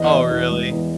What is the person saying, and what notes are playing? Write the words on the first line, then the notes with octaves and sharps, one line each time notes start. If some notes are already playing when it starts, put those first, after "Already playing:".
Oh, really?
Already playing: E2 D#5
E2
E2
G#3
E2